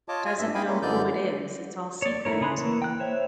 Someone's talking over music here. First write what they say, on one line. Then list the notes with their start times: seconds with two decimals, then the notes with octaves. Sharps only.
doesn't know who it is, it's all secret,
0.09 F4 C#5 D#5 A5 D6
0.25 F4 G#5
0.39 G2 E5
0.55 E4 D#5 F5 G5 G#5 B5
0.67 G#3 A#3 C#4
0.82 F#2 D3 E3 D5 G6
2.02 C#5 D5
2.25 A3 E4 A#4 C#5
2.41 C#3 G#4 B5 C6 F#6
2.57 E3 A#3 C#6
2.82 G5 F#6
3.00 C5 C#5 E5